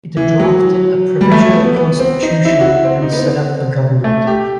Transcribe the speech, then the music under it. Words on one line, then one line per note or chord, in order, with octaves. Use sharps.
It drafted a provisional constitution and set up a government.
E3
F#3
G3
A3
B3
B3
C4
D#4
E4
F#4
E4
C4
D#4
B3
C4
A3
G4